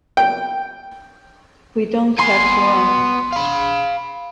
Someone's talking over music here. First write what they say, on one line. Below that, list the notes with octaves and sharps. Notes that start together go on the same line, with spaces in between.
We don't have to run.
G5
B3 G#5 C6
F5 B5